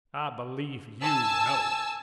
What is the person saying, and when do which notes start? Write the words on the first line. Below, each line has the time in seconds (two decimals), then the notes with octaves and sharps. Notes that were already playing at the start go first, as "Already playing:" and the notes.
I believe you know.
1.02 G#5 A5 E6